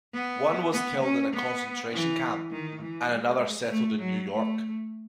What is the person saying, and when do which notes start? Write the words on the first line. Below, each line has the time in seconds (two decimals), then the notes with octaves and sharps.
One was killed in a concentration camp, and another settled in New York.
0.14 B3
0.73 B3
1.03 C#4
1.33 B3
1.92 E3
2.52 D#3
2.81 E3
3.10 G#3
3.70 A3
4.00 F#3
4.30 A3